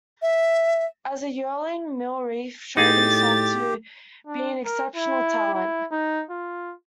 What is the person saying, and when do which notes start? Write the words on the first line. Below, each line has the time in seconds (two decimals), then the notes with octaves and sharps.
As a yearling Mill Reef showed himself to be an exceptional talent.
0.22 E5
2.77 A2 D#4 G4 G#4 A6
4.27 D4
4.65 A#4
4.96 E4
5.54 E4
5.92 D#4
6.30 F4